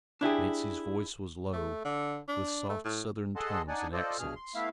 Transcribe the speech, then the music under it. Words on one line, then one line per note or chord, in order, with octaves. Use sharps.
Nancy's voice was low, with soft, southern tones and accents.
D4 E4 G4 G#4
A3
D3
D4
A3
A2
G#4 A4 D#5 F#5 A5 C6
D4 D#4 D5 F#5 G#5
F4 A4 C5 D5 D#5
G2 B2 G#4 F6
C6
A3 B3 E4 E5 F5